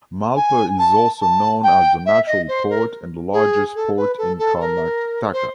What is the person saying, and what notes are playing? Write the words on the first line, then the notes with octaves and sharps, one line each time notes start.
Malpe is also known as the natural port and the largest port in karnataka.
G#5
A5
A5
G5
E5
D#5
C5
A#4
G#4
A4
B4
A4
A4
A#4
C5